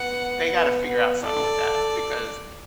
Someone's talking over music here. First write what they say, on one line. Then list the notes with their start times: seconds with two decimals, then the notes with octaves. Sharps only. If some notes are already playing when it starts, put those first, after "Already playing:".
they gotta figure out something with that because
Already playing: B3 F#5
0.49 B3
0.87 B3
1.25 A4 D5